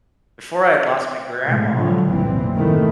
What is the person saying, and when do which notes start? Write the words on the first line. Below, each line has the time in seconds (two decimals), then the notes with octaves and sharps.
before I'd lost my grandma
1.45 A2 C3 G#3
1.76 D3 F3 F#3
2.08 F#1 B1 A2 E3 G3 C4
2.54 A2 C3 D#3 E3 A3